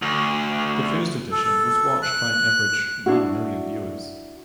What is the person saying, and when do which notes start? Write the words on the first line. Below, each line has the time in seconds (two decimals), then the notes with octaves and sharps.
The first edition was watched by an average one million viewers.
0.02 D2
1.32 A4
2.03 F#6
3.06 D4 E4 F#4